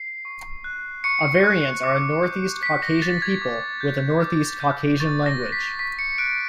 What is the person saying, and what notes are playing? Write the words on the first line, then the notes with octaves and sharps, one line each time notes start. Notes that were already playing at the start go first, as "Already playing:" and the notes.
Avarians are a Northeast Caucasian people with a Northeast Caucasian language.
Already playing: C7
C#6
F#6
C#6 C#7
F#6
D6
G6
D6 B6
A#6
G6 A6
G#6
D6
G6
D6
G6
C#6 A6
A#6
F#6
B6
C#6 B6
C#7
F#6 D7